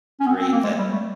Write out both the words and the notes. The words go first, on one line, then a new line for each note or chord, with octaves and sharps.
great that,
C#4
B3
C4
C4
A#3
G#3
G3
A3